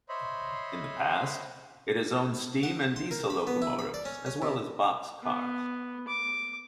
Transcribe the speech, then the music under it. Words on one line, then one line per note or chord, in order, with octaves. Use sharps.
In the past, it has owned steam and diesel locomotives, as well as boxcars.
C5 C#5 D#5 E5 B5 C6
F#5
C6
A#4
B5
B3
E4
B5
D5
C#4
C#4
C3
B3
D6